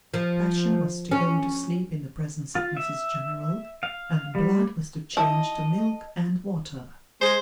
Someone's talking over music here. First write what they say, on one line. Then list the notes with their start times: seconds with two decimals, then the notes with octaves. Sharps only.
Passion was to go to sleep in the presence of Mrs General, and blood was to change to milk and water.
0.14 F3
1.11 C#4
2.55 F4
2.77 E5
3.83 F5
4.35 G3
5.17 D#4 E4 D#5 A5
7.21 G#3 C5